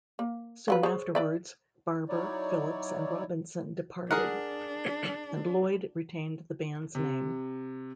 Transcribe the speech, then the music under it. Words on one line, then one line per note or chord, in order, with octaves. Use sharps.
Soon afterwards, Barber, Phillips and Robinson departed and Loyde retained the band's name.
A#3
F3 F#3 B4
G#4 C5 C#5
B4 D5 E5
F#3 D#4 E4 C#5 D5
D4 G#4 A#4 F#5
C3